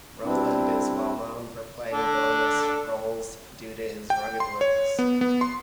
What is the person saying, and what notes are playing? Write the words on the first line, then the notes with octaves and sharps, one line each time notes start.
Rowland is well known for playing villainous roles due to his rugged looks.
G3 C4 D4 E4
D4 A4
G5
C6
C#5
B3
B3
C6